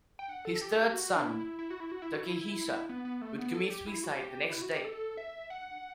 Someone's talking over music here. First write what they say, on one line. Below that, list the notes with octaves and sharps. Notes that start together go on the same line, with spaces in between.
His third son Takehisa would commit suicide the next day.
G5
F#5
A4
G4
A4
G4
F#4
D4
E4
E4
F#4
E4
F#4
E4
F#4
E4
B3
B3
A3
B3
A4
G4
E4
F#4
G4
E4
F#4
G4
A4
E5
F#5